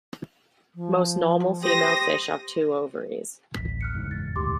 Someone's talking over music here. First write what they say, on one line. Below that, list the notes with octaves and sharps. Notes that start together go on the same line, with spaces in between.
Most normal female fish have two ovaries.
F3
G4 C5 D#6 A#6
D1 A1 B6
F6 F#6 C#7
F#1 E2 G#2
A6
D#1 D2 G#2 G4 C6 D6